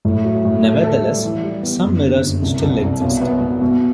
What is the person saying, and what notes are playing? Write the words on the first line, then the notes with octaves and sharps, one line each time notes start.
Nevertheless, some mirrors still exist.
A2
F#3
A2
A4
A4
G3
E3
G3
B3
F#1
D3
F#1
C2
C2
C2
B1
B3
B2
B2